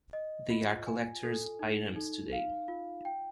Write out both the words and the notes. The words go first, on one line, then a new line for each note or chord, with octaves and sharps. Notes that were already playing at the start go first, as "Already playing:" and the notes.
They are collectors' items today.
D#5
F4
G#5
A4
D#4
D#4
F5
F4
G5